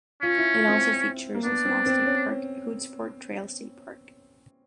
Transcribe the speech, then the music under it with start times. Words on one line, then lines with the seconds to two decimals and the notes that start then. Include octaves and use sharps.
It also features a small state park, Hoodsport Trail State Park.
0.22 C#4 F4
0.38 E4
0.54 F4
0.69 C4
1.35 A#3
1.45 B3 D4
1.65 C4
1.86 C4
2.06 C#4